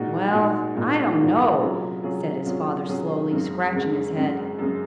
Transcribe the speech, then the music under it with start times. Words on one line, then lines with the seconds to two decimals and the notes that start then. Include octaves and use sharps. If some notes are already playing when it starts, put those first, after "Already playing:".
"Well, I don't know," said his father slowly, scratching his head.
Already playing: A#2 G#3 D#4 F#4
0.32 A#2 G#3 D#4 F#4
0.75 A#2 G#3 D#4 F#4
1.18 A#2 G#3 D#4 F#4
1.61 C3 F#3 C#4 F4 G#4
2.03 C3 F#3 C#4 F4 G#4
2.45 C3 F#3 C#4 F4 G#4
2.88 C3 F#3 C#4 F4 G#4
3.31 F#2 C#3 G#3 C4
3.73 F#2 C#3 G#3 C4
4.17 F#2 C#3 G#3 C4
4.59 F#2 C#3 G#3 C4